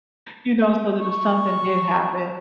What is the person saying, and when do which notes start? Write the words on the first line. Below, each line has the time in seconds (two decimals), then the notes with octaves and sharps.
you know, so that if something did happen
0.99 C#6